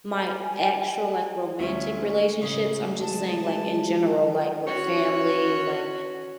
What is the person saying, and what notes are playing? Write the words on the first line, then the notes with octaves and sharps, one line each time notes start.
my actual, like, romantic relationships, I'm just saying, like, in general, like, with family, like
G#5
D2 G3 C#4 E5
A2 C#3
E3 F#3 G#3 A5
C#4 F#4 C#5